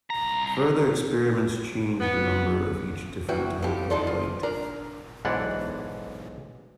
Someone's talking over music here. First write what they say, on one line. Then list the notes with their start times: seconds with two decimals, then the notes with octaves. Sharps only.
Further experiments changed the number of each different type of light.
0.10 C2 A#5
2.00 B3
3.28 D2 E3 F#4 G5
3.62 F2 A2 G4
3.90 D3 G#3 D#4 A4 D5 C6
4.07 F4
4.43 D4 A#4 A#5
5.25 B1 G#2 E3 D4 F#5